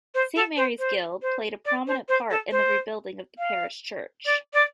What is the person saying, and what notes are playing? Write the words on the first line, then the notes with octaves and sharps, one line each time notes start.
Saint Mary's Guild played a prominent part in the rebuilding of the parish church.
C5
A4
C5
C5
C5
D5
C5
C5
A4
C5
F5
D5
D5